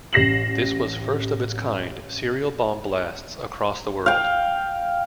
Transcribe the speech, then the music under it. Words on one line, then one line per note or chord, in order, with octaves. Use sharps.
This was first of its kind serial-bomb-blasts across the world.
A1 G4 A#6 C7 E7 F#7
F5 G5